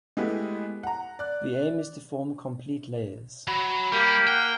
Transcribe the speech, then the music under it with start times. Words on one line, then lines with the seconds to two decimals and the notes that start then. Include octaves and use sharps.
The aim is to form complete layers.
0.17 G#3 A3 B3 E4 G4
0.83 F#5 A#5
1.19 D5 F#6
3.48 F#3 B5
3.93 G3 A#3 G4
4.27 F#5 G5